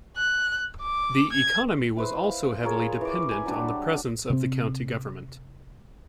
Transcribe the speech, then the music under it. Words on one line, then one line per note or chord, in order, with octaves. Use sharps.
The economy was also heavily dependent on the presence of the county government.
F#6
D6
G#6
E4 B4 C5
F5
F4 G#4 A#4 C#5
E3 D6
G#5 B5
F#3 G3 D4 G4
C3 C4